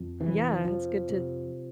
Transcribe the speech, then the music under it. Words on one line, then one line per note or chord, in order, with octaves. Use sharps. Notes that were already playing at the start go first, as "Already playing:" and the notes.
Yeah, it's good to
Already playing: F2
C3 E3
F2 F3
C3